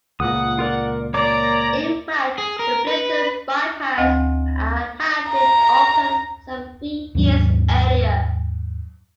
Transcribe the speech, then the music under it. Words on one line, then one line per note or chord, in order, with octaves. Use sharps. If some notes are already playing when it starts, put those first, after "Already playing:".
In fact, the Plympton bypass had been open some three years earlier.
C#2 A#2 F#5 D#6
F4 A#4 D5
A#3 C#5 D5 A#5 D6
G#4
A#4
B4
D2 C4 D#5 F5 G#5
A#5
D#2 G#2 F#3